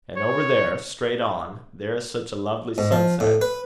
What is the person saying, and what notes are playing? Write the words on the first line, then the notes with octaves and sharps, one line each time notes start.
And over there, straight on, there is such a lovely sunset.
C#5
G#2
F3
A2
B4